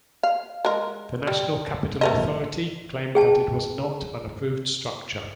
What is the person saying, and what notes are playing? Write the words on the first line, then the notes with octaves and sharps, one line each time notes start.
The National Capital Authority claimed that it was not an approved structure.
F5
G#3 A#4
G3
A3 A#4 D#5
G#4 G5 A5